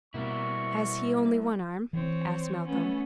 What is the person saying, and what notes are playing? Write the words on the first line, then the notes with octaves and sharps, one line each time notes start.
"Has he only one arm?" asked Malcolm.
B2 G3 A#3 E4 C#6
E3 C4 C#5
A3 B3 C#4